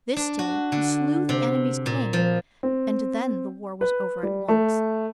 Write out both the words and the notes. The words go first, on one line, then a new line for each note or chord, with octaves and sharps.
This day he slew the enemy's king, and then the war was over at once.
D4
F#4
D3
C3
A#2
F3
C4
B4
G3
A3